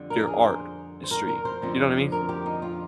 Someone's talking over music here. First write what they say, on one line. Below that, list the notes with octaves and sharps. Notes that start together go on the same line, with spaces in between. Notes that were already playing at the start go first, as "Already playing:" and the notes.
your art history, you know what I mean?
Already playing: F2 D3 G3
A#4
G#4
C5
C5
A#4
A#4
C5
F2 D3 F3 C4
A#4
G4
D#4
F4